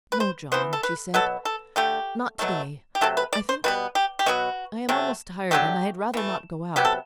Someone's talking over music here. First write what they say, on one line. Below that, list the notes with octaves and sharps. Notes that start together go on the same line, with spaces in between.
"No, John," she said; "not to-day, I think. I am almost tired, and I had rather not go out."
B4
C5
E3 B3 C5
A4
B4
B2 F#3 B3 A4
A4
D3 A3 G4
B2 F#3 A3
G4
C3 F#3 A3 A4
B4
D5
C5
B2 G3 B3 B4
G4
G4
B2 F#3 B3 F#4
C3 F#3 A3
D3 F#3 A3 G4
E3 A3
C3 F#3 B3 G4
A4